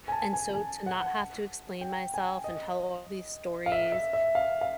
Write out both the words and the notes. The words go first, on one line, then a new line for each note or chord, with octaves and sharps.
and so to not have to explain myself and tell all these stories
G#5
A5
G#5
G#5
F#5
G5
G#5
D#5
F5
E5
E5
E5
F5
F5